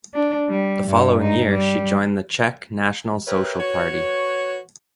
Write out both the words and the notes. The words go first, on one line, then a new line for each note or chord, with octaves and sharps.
The following year she joined the Czech National Social Party.
D4
G3
G2
D#4
G3
G4 A#4 B4 C#5 E5
F#4 B4 C#5